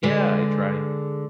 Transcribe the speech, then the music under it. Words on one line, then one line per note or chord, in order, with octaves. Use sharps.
yeah, I try
D3 G#3 B4